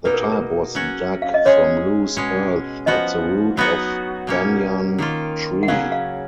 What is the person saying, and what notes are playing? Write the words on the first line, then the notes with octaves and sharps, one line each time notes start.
The type was dug from loose earth at the root of a banyan tree.
B2 A#3 D#4 B4
A#4
G#4
A#4
F#3 C#4 F#4
F5
D#5
G#3 C#4 G#4 C#5
B2 G#3 C#4
F3 B3 F#4 D#5
F#3 B3 D#4 F#4
B2 A#3 C#4
D#3 A#3 F4
F#5
C#3 F#3 C#4 F5
F5